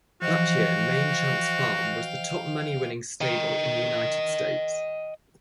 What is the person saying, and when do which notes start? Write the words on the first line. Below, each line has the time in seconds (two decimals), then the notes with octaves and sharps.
That year, Maine Chance Farm was the top money-winning stable in the United States.
0.22 E3 F3 F#4 C5 D#5 F5 G5
3.21 D#5 G5